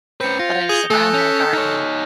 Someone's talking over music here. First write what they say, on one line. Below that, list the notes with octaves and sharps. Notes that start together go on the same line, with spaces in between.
but I surround my garden
C4 C#4 B4 G6 C#7
F4 A#6
G#4 D#6 F7 G7
A3 A4 G#5 F#6
C#4 G6 B6
D#4 C#5 F6